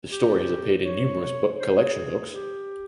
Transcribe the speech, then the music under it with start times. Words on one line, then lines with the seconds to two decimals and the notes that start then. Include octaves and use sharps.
The story has appeared in numerous collection books.
0.12 G4
0.85 C#5
1.60 C5
1.78 G#4
2.34 G4